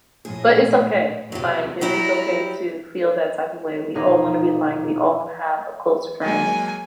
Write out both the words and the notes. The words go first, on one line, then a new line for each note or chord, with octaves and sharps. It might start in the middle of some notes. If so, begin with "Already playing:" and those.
but it's okay. Like, it is okay to feel that type of way. We all want to be liked; we all want to have a close friend.
A#1 A2 G#4
E2 C3 F#3
F#3 G3 E4 A#5
E1 A#1 D#4 C#5 F5 B5
F#3 G#3 A#3 G#5